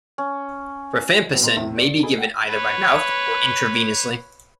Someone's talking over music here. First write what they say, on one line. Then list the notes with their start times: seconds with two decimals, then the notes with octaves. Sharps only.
Rifampicin may be given either by mouth or intravenously.
0.18 C#4
1.31 A2 F#3 B3 C4
1.43 A#2 A#3 B3 D#5 A#5 C6
1.56 E2 A2 C3 E5
1.77 D5
2.03 D#4 G#4 A4 B5
2.16 A4 F#5 G5
2.48 B4 C#5